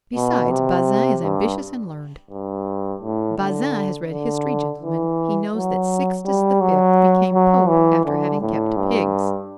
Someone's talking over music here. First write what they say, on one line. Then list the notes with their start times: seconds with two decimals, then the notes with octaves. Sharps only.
Besides, Bazin is ambitious and learned; Bazin has read history, gentlemen, he knows that Sixtus the Fifth became Pope after having kept pigs.
0.15 B2
0.51 C3
1.23 G2
2.31 G2
3.02 A2
3.38 D3
4.10 D3
4.82 E3
5.53 F#3
6.26 G3
6.61 F#3
7.33 F#3
7.69 E3
8.05 D3
8.42 A2
8.77 G2